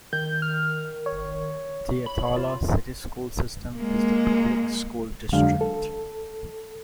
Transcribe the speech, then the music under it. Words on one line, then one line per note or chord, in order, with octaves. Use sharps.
The Attalla City School System is the public school district.
D#3 G6
F6
C#5
B5
F4
G#3 A#3
F2 D3 F#3 G#3 D4 F5
A4